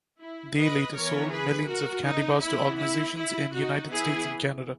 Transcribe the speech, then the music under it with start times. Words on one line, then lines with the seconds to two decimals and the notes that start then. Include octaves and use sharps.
They later sold millions of candy bars to organizations in United States and Canada.
0.22 E4
0.59 B4 D#5
0.95 E3 B3 A#4 C#5
1.32 G#4 B4
1.69 F#4 A#4
2.06 D#4
2.43 E3 B3 E4
2.80 E4
3.17 E4
3.54 D#4 F#4
3.91 E3 B3 E4 G#4